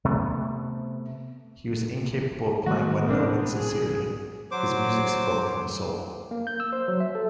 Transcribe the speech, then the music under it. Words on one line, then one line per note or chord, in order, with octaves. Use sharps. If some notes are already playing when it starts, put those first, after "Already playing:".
He was incapable of playing one note insincerely; his music spoke from the soul.
C3 A3 B3
D#3 G3 A3 B3 F#4
A#1 A2 C3 A#3 C4 D4
G#4
F#3 C5 D6
A#3
G6
E6
C5
F#3
E5
A4